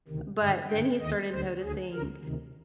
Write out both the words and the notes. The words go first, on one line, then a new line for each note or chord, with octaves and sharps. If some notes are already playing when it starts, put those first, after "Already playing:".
But then he started noticing
D2 C3 D#3
G2 D3 D#5
G2 D3 G5
D#2 D#3 D#5
D2 D3 C5
D2 D3 G#4
D2 D3 A#4
D2 C3 D#3